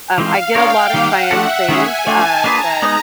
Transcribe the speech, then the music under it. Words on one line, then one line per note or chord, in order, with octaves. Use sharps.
um, I get a lot of science things, uh, that
E3 G#3 C4 F4 F5
B3 D4 F4 A#4 C#5 G5
D#3 G3 A#3 F#5
F3 A3 D4 F#4 A4 E5
D#3 G#3 C#4 E4 G#4 G#5
A3 D4 F4 A5
A#3 D4 F4 G#4 B4 A#5
G#3 B3 D#4